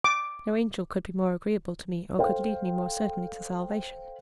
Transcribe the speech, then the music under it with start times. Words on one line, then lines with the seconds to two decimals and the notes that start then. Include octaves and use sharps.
No angel could be more agreeable to me, or could lead me more certainly to salvation.
0.04 D6
2.18 A4 C5 F5 G5